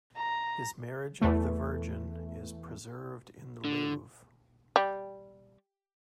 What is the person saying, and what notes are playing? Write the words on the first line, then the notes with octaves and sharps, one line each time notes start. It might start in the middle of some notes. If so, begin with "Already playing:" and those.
His "Marriage of the Virgin" is preserved in the Louvre.
A#5
E2 E3 A3
D3
G3